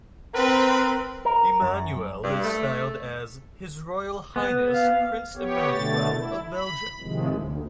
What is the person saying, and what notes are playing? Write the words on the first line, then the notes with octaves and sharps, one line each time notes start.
Emmanuel is styled as "His Royal Highness Prince Emmanuel of Belgium".
C4 A#4 B4
A#4
F#2
G2
A3
B3
F5
B3 G4 C#5
B2 D3 A3 A6
E4
B5
A2 C3 D#3 F3 G#3
D2